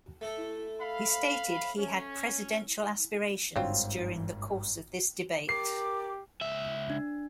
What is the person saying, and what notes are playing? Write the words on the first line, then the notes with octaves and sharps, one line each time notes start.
He stated he had presidential aspirations during the course of this debate.
A3 A4
F5 B5
C#4
G#1 G2 F#3 C4 F4
G4 A#4 D6 C7
C#2 E5
D4